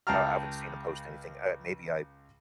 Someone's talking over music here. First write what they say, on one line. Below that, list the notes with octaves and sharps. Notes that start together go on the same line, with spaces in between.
uh, I haven't seen him post anything, uh, maybe I
C#2 F5 G5 A5 A#5 F6